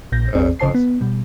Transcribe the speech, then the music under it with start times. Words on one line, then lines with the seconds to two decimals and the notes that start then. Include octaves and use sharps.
Oh, that's awesome.
0.12 A#1 A#2 G6 A#6
0.35 A1 E2 C4 G#4 D5
0.60 G#1 C#3 C5 A5 C7
0.75 B3
1.01 B2 G3